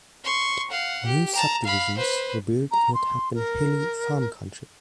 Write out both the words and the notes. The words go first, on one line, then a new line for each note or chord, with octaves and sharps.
New subdivisions were built in what had been hilly farm country.
C6 C#6
F5 F#5
G4
A5 A#5
F5 B5
B4 C5
A#5
C6
A#4